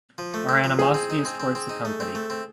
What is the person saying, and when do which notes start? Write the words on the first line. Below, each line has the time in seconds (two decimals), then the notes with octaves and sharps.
Our animosity is towards the company.
0.18 F3
0.34 A3
0.49 C4
0.64 F3
0.79 D#4 G#4
0.94 C4
1.10 D#4
1.25 C4
1.40 C4
1.55 C4
1.69 D#4
1.85 A3
2.00 C4
2.15 A3
2.30 C4